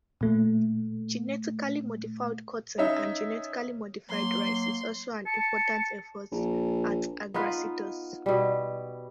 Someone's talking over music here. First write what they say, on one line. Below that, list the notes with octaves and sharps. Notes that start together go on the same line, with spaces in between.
Genetically modified cotton and genetically modified rice is also an important effort at Agracetus.
A#2 A3
C#4 D#4 E5
F#3 A#3 C6
A5 C#7
A#1
B3 D#4 F4 B4
B2 G3